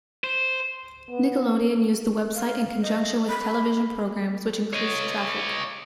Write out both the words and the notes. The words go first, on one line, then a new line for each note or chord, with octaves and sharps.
Nickelodeon used the website in conjunction with television programs which increased traffic.
C5
B3
F5
D#5
B5
C#5 D#5